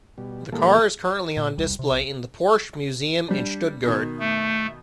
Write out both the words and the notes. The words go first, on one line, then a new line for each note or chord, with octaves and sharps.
The car is currently on display in the Porsche Museum in Stuttgart.
B2 G3
A#2 E3 G3 G#3 A#3 A4
A#2
E1 C2 G3
C3
B1
G3 D4
B2 D#3
A3